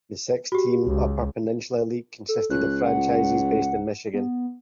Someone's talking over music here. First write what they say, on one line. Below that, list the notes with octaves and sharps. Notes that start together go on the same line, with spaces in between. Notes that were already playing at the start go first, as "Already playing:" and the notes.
The six–team Upper Peninsula League consisted of franchises based in Michigan.
F#4 G4
C#2
A4
C#2 F#6
F#5
B3